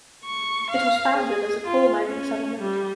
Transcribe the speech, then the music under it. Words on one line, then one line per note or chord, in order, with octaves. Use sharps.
It was founded as a coal mining settlement.
C#6
F5
G#4
F4
C#4
G3